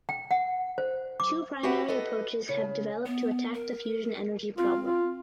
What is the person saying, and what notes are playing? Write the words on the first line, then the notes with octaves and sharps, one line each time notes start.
Two primary approaches have developed to attack the fusion energy problem.
G5
F#5
C5
D6
F#4 G4 B4 E5 F#5
A4 B4 D#5
C#3
B3
A#4
C4 F4
F4